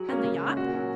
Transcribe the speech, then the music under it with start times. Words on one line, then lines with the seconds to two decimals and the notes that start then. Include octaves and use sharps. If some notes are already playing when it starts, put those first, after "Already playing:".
"And the yacht."
Already playing: F#3 G#4
0.09 A#3 C#4
0.24 C#3
0.40 G#3 C#4
0.57 A#2 F#4
0.73 F#3 C#4